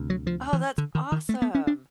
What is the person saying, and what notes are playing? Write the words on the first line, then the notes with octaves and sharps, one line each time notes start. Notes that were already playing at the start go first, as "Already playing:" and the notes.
Oh, that's awesome.
Already playing: D2 C3
F#3
F3
E3
D3
D#3
D#3
A3
B3
C#4
D4